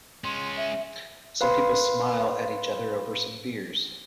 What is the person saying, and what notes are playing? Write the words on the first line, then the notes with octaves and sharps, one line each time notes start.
Some people smile at each other over some beers.
G#3 C#4 C6
E5
B4 F5 B5 C6